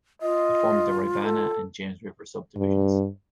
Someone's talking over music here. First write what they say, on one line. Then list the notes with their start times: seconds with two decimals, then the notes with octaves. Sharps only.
It forms the Rivanna and James River subdivisions.
0.22 F4 D#5
1.24 A4
2.56 G2